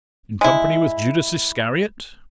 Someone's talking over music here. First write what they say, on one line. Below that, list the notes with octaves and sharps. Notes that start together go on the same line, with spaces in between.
"In company with Judas Iscariot?"
G#3 E4